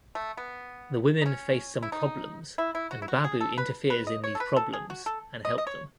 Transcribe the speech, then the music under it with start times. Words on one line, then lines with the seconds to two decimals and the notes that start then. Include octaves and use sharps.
The women face some problems and Babu interferes in these problems and help them.
0.15 A3
0.37 B3
1.22 D#4
1.26 C#4
1.83 E4
1.92 D#4
2.58 E4
2.75 E4
2.91 F#4
3.02 E4
3.08 F#4
3.24 G#4
3.41 A4
3.58 B4
3.90 B4
4.07 D#5
4.24 C#5
4.35 A4
4.40 B4
4.56 A4
4.73 G#4
4.90 F#4
5.06 A4
5.45 D#5
5.58 D#5
5.67 C#5